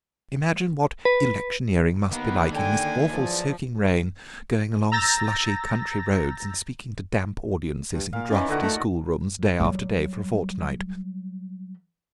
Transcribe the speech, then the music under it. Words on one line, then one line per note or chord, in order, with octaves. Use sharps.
Imagine what electioneering must be like in this awful soaking rain, going along slushy country roads and speaking to damp audiences in draughty schoolrooms, day after day for a fortnight.
B4
D#3 A#3 B3
D3 G5 G#5
E2 F3 F#3 D5
A#5 E6 G6 A6 A#6
G2
A#2 F5
D#3 E3 C#4 D5
A#2 D3 F#4 F#5
A3
F#3 G3